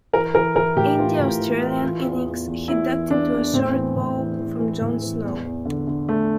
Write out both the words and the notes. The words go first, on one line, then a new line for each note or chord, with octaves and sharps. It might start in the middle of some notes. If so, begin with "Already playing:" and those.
In the Australian innings he ducked into a short ball from John Snow.
E3 A#4
E3 A#4
E3 A#4
A2 G4
E3 F4
A2
E3
E3
E3 F4
E2
E2
E2
E2 E4
E3
E2 D4
E2
A2 C4
E3
A2
E3
E3
E3
A2
E3
E2
E2
D3
D3
D3 A3